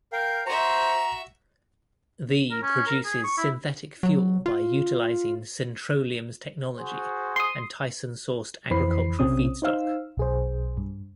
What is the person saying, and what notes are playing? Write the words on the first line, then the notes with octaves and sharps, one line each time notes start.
The produces synthetic fuel by utilizing Syntroleum's technology and Tyson sourced agricultural feedstock.
A#4 F5 G5
F#4 C5 E5 A#5 C#6
A#4
C#4
A#4
G#4
C#6
E4
F#3
F4
F#4 G#4 C5
C6 D#6
F2 E3 C5 B5 C7
B1 C3 C4 C#4 D#6
D#4 C5 F5 E6
B1 G#4 C5
G2